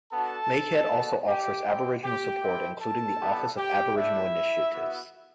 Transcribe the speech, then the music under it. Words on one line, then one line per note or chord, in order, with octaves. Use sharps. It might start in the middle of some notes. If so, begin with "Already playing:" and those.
Lakehead also offers Aboriginal support including the Office of Aboriginal Initiatives.
B3 D4 F#4 A4 A5
B3 F#4
G4 G5
C4 E4 G4
G4 G5
C4 E4 G4
A4 A5
G3 B3 E4 G4
G4 G5
A3 D4 E4 G4 E5
B3 F#4